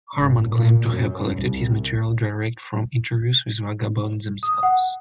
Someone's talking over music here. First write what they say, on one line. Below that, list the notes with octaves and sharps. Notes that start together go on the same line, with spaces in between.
Harman claimed to have collected his material direct from interviews with vagabonds themselves.
G#1
A#2
F#2
C2
D#6
F#5